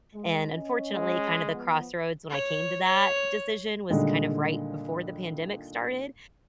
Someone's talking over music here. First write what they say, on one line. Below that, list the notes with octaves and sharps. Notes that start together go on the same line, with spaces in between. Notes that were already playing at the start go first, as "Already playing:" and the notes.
And, unfortunately, kinda the crossroads when I came to that decision was kind of right before the pandemic started.
G#3
C#4 D#5
G#3
F3 B3 B4
C#5
C#5
A#2 D3 D#3 G3 G#3